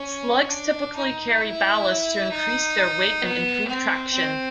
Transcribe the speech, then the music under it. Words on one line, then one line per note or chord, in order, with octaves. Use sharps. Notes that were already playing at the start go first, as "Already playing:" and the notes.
Slugs typically carry ballast to increase their weight and improve traction.
Already playing: C#4
D4
D#4
E4
D#4
B3
C4
C4